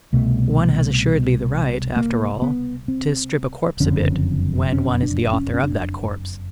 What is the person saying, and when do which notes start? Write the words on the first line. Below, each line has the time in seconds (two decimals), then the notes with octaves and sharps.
One has assuredly the right, after all, to strip a corpse a bit when one is the author of that corpse.
0.13 C2 B2 A3
1.96 A#3
2.42 B3
2.88 C4
3.80 F#1 F2 D3 C#4
4.73 C#4
5.03 D4
5.33 C#4
5.54 C#4
5.64 D4